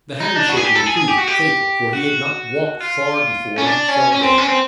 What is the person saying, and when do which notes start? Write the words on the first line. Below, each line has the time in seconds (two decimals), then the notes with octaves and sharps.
The hand-shaking proved fatal, for he had not walked far before he fell dead.
0.20 D#4
0.36 D4
0.49 F#4
0.57 G#4
0.65 G4
0.75 A4
0.86 G#4
0.97 G#4
1.08 G4
1.18 F#4
1.27 G4
1.93 F#4
2.80 F4
3.58 C#4
3.67 D4
3.88 C#4
4.12 C#4
4.23 C4
4.38 C#4
4.49 C4